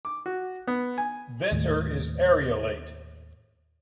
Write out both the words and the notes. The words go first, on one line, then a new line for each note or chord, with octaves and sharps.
Venter is areolate.
D6
F#4
B3
G#5
D#2 A2